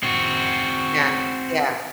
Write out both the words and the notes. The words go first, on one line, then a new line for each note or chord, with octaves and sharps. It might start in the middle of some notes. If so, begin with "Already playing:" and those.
yeah, yeah.
C4 F#4